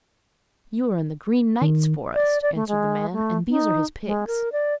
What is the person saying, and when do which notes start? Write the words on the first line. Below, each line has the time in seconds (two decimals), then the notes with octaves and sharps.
'You are in the Green Knight's forest,' answered the man, 'and these are his pigs.'
1.62 D#3
2.15 D5
2.42 D5
2.55 A3
2.68 G#3
3.13 A3
3.50 D#4
4.06 G#3
4.27 A#4
4.52 D5